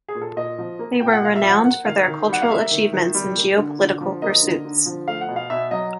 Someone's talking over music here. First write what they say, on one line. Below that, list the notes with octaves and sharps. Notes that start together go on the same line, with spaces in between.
They were renowned for their cultural achievements and geopolitical pursuits.
G#4
A#2
A4
A#2 D#5
F3
A#3
A#2 G5
F#5
A#2 F5
E5
F3
F#5
A#3 F#5
D#3 F5
D#3
G3 F#5
F5
A#3 E5
D#3
D#3
G3
A#3
D3
D3
F3
A#3 D#5
D3
D3
F3
A3 F5
F#5
B2
F5
B2 E5
F#3 D#5